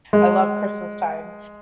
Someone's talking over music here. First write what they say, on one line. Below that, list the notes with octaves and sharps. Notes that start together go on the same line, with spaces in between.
I love Christmas time.
G#3